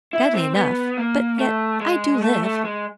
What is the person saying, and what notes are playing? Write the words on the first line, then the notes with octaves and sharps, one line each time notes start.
"Badly enough; but yet I do live."
E4
C4
B3
A#3
A3
G#3
A3
A3
G#3